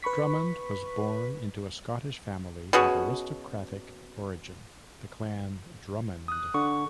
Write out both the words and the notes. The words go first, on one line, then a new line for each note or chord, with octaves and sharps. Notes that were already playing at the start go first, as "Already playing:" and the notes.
Drummond was born into a Scottish family of aristocratic origin, the Clan Drummond.
B4 B5 C#6 B6
B2 C#4 F#4 G#4
D#6 F#6
D3 C#6